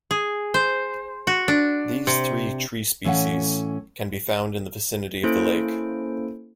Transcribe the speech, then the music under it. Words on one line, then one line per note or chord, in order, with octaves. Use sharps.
These three tree species can be found in the vicinity of the lake.
G#4
C5
F#4
D4
C3
A2 E3 C#4 A4 F5 F#5
A#3 C#4 E4 A4 C5 D7